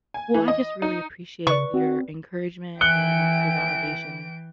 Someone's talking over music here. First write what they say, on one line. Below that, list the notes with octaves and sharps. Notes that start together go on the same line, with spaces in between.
Well, I just really appreciate your encouragement and your validation.
G#5
E3
D#5
D#4
C#3 B4 D5 C#6
C4 F#4
E3 E5 G5 G#5 F#6 C#7 D7 G7